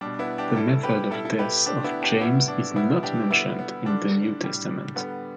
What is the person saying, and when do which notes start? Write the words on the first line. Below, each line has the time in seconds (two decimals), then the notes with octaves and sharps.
The method of death of James is not mentioned in the New Testament.
0.01 B2 G3 D4
0.19 B3 E4
0.38 D4 G4
0.56 A2 G3 E4 A4
0.83 G4 B4
1.11 B2 G3 E4 A4
1.25 E4 A4
1.39 G4 B4
1.66 D3 A3 D4 G4
1.84 B3 E4
2.02 D4 G4
2.20 A2 G3 B3 E4
2.48 D4
2.76 B2 G3 B3 E4
3.03 D4 G4
3.31 D3 G3 B3 E4
3.59 B3
3.85 D3 G3 D4
4.41 A2 G3
4.95 D3 G3 B3